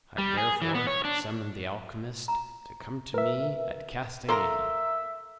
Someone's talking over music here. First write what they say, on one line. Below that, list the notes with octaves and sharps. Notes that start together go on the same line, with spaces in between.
I therefore summoned the alchymist to come to me at Castellane.
G3
G#4
E3
B3
C#5
D4
A#5
A#4 B4 E5
A#3 A4 A#4 E5 A#5 C6